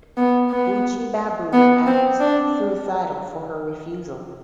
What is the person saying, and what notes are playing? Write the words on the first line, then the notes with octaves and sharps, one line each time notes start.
Buchi Babu acts suicidal for her refusal.
B3
B3
B3
C4
D4